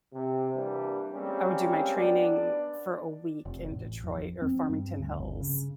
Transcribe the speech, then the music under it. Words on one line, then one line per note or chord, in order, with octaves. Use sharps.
I would do my training for a week in Detroit or Farmington Hills.
C3
E3 G3 A#3 D4
G3 G#3 A#3 C4 C#4
B3 D4 D5
F1
A1
F2
C4
G2
D2
G1
C#3